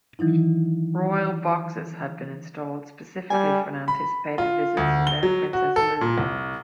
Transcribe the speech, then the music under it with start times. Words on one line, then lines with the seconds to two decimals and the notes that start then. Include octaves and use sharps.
'Royal boxes' had been installed specifically for an anticipated visit from then-Princess Elizabeth.
0.19 D#3 E3 F#3 D#4 E4
3.30 G3 G#5
3.88 B5
4.38 F4
4.77 D2
5.07 G7
5.23 F#3
5.53 F#4
5.76 A4
6.01 A#2
6.18 C2